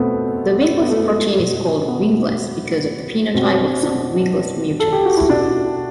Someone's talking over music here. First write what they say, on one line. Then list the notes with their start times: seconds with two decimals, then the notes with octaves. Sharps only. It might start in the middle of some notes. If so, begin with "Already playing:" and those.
The Wingless protein is called "wingless" because of the phenotype of some "wingless" mutants.
Already playing: B2 A3 B3 C4
0.82 B3
0.90 A3
1.39 B2
1.88 B3
3.34 B2 C4
3.83 D4
4.80 A4
4.93 G4
5.05 F#4
5.17 E4
5.29 B2 D4